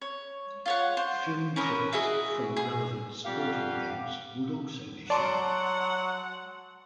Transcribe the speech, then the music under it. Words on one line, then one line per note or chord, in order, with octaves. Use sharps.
Film clips from relevant sporting events would also be shown.
C#5
F4 C#5 F#5
C5
C#4 A#4 B4
E4 F#4 G#4 D#5
G#4
F2 G3 G4 F5 F#5
F#3 D5 F#5 A5 C6 D7